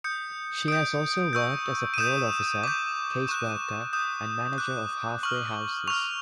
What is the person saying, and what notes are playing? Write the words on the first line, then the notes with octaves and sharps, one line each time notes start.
She has also worked as a parole officer, caseworker, and manager of halfway houses.
D#6 G6 C#7
D#6 G6 D7
C#6 E6 G6
D#7
D#6 G6 E7
D6 G6
C#6 F#6 E7
D#6 G6 E7
D6 F#6
C#6 F6 F#7
C#6 F6 F7